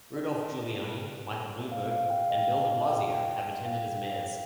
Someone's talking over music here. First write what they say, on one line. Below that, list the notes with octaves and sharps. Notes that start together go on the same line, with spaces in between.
Rudolph Giuliani, Michael Bloomberg, and Bill DeBlasio have attended as mayors.
D5
F5
F5
G5
F5
D#5
F5
G5
F5